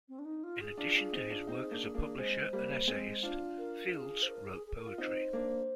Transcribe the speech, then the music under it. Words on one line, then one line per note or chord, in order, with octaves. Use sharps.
In addition to his work as a publisher and essayist, Fields wrote poetry.
C4
D4
D#4
F4
G#4
D4 F4
D4 F4
C4 D#4
D4 F4
C4 D#4
A#3 D4
A#3 D4
G#3 C4 C5
G3 A#3
G#3 C4
D4 F4
A#4
G#4
C5
A#4
G#4
G#4
A#4
F4
C4 D#4 C5
A#3 D4